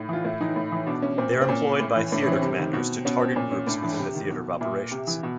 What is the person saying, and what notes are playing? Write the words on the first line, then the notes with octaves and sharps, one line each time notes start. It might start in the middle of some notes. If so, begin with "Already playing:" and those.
They are employed by theater commanders to target groups within the theater of operations.
Already playing: A2 D#4
E3 F4
A2 E4
E3 D#4
A2
E3
B2 D4
C#4
A#2 C4
C4
A#2 C#4
A2
E3
A2 D4
C#4
E3 C4
C3
D#3
B2
B2 C#4
C4
A#2 C#4
C#4
A2 D4
E3 D4
C3
D#3
B2
A#2 E4
C3
E3
B2